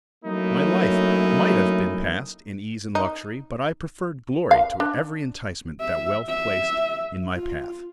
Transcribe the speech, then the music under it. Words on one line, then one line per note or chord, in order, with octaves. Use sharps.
My life might have been passed in ease and luxury, but I preferred glory to every enticement that wealth placed in my path.
F#3 A3 A#3 C#4 D#4 E4
D#4
F5
D4
E5
E5
F4